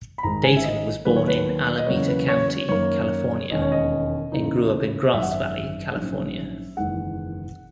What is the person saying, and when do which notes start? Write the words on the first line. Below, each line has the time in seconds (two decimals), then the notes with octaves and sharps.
Dayton was born in Alameda County, California and grew up in Grass Valley, California.
0.18 B5
0.23 G#1 G#2 D#3 G#3 A#5
0.44 G#5
0.57 E5
0.64 D#5
1.05 D#2 D#3 F#3 A#3 B4
1.16 C#5
1.28 B4
1.78 D#5
1.86 E2 C#3 F#3 A#3 C#5
2.08 B4
2.28 C#5
2.49 C#5
2.69 F#2 D#3 A#3 C#5
3.50 E1 D#2 D#3 G#3 C#4 D#5
3.62 C#5
3.72 D#5
4.32 E2 C#3 E3 A#3 D#4
5.13 G#1 F#2 D#3 E5
5.23 F#5
5.31 E5
5.95 A#1 G#2 F#3 C#4
6.77 F#1 E2 D#3 G#3 F#5